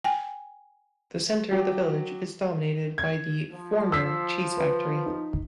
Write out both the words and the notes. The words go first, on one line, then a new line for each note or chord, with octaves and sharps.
The centre of the village is dominated by the former cheese factory.
G5 G#5
F#3 G4
G#6
F3
E6 B6 C7
B4
D#4